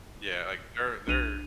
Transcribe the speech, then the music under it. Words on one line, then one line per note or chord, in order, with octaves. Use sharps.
yeah, like, they're they're
B1 D4 D#7 F7